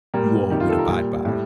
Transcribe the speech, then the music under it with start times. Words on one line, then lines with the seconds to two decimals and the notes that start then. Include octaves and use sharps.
you all would abide by?
0.14 A#2 G3 A#4
0.50 C3 D#3 G3 G4
0.60 F4
0.69 A4
0.79 A#4
0.88 A#2 G3
1.25 A2 G3